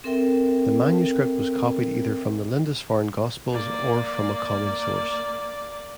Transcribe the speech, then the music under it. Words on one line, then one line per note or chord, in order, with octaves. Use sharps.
The manuscript was copied either from the Lindisfarne Gospels, or from a common source.
C4 A4 A#4 E5 G5
A#3 D5